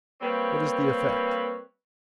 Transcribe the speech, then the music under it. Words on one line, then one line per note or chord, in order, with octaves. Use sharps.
What is the effect?
G3 A#3 C4 B4 C#5